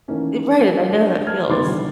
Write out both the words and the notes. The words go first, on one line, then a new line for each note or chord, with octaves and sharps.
Eh, right and I know how that feels.
D#3 E3 A3 A#3 C#4 D#4
D4
A5 F6 G#6
D#2 D#3 B3 C6 D6 A6
B2 D3 E3 F#3 G3